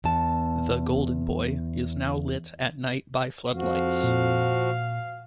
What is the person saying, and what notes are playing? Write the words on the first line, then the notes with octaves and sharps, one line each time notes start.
The Golden Boy is now lit at night by floodlights.
E2 A5
F2 F3 F#4 F5
A#2